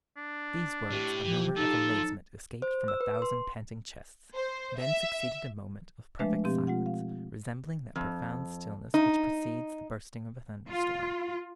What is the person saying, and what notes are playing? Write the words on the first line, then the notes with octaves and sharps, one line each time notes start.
At these words a murmur of amazement escaped from a thousand panting chests; then succeeded a moment of perfect silence, resembling that profound stillness which precedes the bursting of a thunderstorm.
D4
A2 G4
E3 F3
F3 D#4 A4
C5
E6
B4
C6
C5
E5
F3 G#3 A3 D4 B4 E5
B2 F3 C4 G4
G#3 F4 F#5
F5
F2
D#4
F4